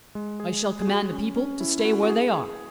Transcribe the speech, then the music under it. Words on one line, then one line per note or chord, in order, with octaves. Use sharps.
"I shall command the people to stay where they are."
G#3
G#4
G#4
F#4
C#4
C#4
E4
E4
F#4
F#4
G#4
G#4